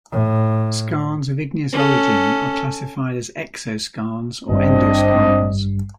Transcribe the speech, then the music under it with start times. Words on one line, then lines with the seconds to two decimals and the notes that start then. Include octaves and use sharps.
Skarns of igneous origin are classified as "exoskarns" or "endoskarns".
0.12 A2
1.73 C#4 A4
4.49 G#1 G2 G3 C4 D4 D#5